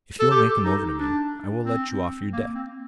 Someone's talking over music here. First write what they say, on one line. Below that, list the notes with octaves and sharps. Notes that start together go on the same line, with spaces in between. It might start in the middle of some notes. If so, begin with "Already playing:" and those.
If you will make him over to me, I will let you off your debt.'
A4
G4
D#4
D4
C4
A#3
C4